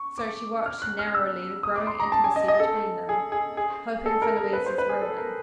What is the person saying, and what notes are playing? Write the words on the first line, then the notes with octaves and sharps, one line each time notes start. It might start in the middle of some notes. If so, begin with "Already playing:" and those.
So she watched narrowly the growing intimacy between them, hoping for Louisa's ruin.
Already playing: C#6
D6
F6
F#6
F6
E6
D#6
D6
C6
A#5
A5
G#5
D#5
D#5
A4
G#4
G#4
G#4
A4
A#4
A#4
B4
C5
B4
G#4
A4
A#4